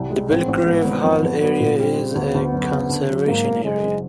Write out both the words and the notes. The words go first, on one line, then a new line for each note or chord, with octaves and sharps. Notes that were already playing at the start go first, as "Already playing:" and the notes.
The Belgrave Hall area is a conservation area.
Already playing: C2 G3
G#3
A1 C4
A1
G#2 B3
G#1
F2 B3
F2
F#3 B3
A#2
G3 C4
G3
D2 B3
D2
F#2
C#3
D3
F#3
G#2 A#3
G#2
F#1 G#3
F#1